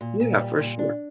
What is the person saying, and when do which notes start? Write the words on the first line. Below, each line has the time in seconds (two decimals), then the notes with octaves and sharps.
Yeah, for sure.
0.01 A#2
0.20 A#2
0.40 G3
0.59 A#2
0.79 D4